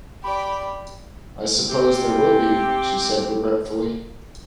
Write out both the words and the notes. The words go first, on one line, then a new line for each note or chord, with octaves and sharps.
"I suppose there will be," she said regretfully.
G4 D5 B5
C3 G4